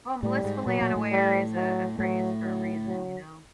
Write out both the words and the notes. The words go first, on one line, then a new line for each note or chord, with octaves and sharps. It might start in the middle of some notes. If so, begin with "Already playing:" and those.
Well, blissfully unaware is a a phrase for a reason, you know?
A2 G3 A3
G#2 G#3
A#2 F#3 A#3
A#2 A#3
A2 A3
G3
F#3
A2 F#3 A3
F#3
F#3